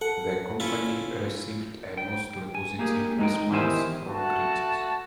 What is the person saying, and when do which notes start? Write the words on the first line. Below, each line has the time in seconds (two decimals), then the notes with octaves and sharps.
"The Company" received a mostly positive response from critics.
0.01 A4 F#5
0.60 C#4 E4 F4
1.97 G5
2.55 G#5
2.79 A#3 G4 G#4
3.19 G#3 D#4 G5
3.51 E2 D#3 E4 G4 C5 G#5
4.07 A3 F#4 F#5 A5